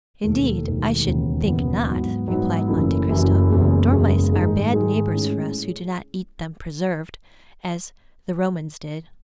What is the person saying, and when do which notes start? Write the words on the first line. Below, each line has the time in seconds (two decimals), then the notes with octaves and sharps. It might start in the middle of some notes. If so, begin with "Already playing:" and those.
"Indeed, I should think not," replied Monte Cristo; "dormice are bad neighbors for us who do not eat them preserved, as the Romans did."
0.24 E1 D#2 D#3 A3
0.64 E1 D#2 D#3 A3
1.05 E1 D#2 C#3 E3 B3
1.46 E1 D#2 C#3 E3 B3
1.87 G#2 F#3 B3 D#4
2.28 G#2 F#3 B3 D#4
2.68 F#1 F#2 E3 A3 E4
3.09 F#1 F#2 E3 A3 E4
3.50 F#1 E2 C#3 G#3
3.92 F#1 E2 C#3 G#3
4.32 G#2 D#3 G#3 D#4
4.72 G#2 D#3 G#3 D#4
5.13 A2 G#3 C#4 E4